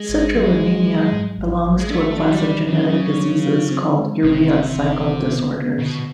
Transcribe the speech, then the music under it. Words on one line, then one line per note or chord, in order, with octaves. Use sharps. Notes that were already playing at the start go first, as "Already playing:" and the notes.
Citrullinemia belongs to a class of genetic diseases called urea cycle disorders.
Already playing: G#3
G#1
F#3
F#3
F#3
G#2
A1
A1
G#3
A3 D4
F#3 D4
G3
E3
C#3 F#3
F#3
F#3
F4
C4
G#3
G1 C3
D#3
G1
D#3
B3
B3
B2 D3